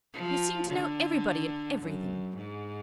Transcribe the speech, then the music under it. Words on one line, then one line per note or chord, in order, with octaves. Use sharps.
You seem to know everybody, and everything.
F3
D3
F#2
G#2